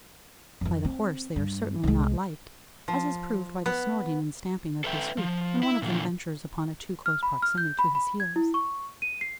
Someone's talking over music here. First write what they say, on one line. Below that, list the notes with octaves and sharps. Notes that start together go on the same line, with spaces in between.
By the horse they are certainly not liked; as is proved by the snorting and stamping of his hoof, when one of them ventures upon a too close proximity to his heels.
F2 E3
C4
G2
C2 G#3
F3
B3
A4 B4 E5 G5
F3
E4
A#2 D3 E3
F6
B5
F6
G6
B5
B5
G#6
E4
C#6
D#7
C7